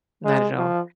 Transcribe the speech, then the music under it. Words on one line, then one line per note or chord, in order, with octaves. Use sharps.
not at all,
G#3
F3